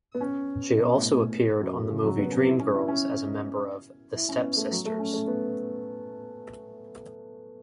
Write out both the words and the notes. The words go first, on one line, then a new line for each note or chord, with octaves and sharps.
She also appeared on the movie Dreamgirls as a member of 'The Stepp Sisters'.
B3
C#4
B2
A2
A2
F#2
F#2
C#3
F#3
B3
C#4
E4
C#4
E4
C#4
E4
C#4
B3
A3
F#3
A3
C#4
A3
B3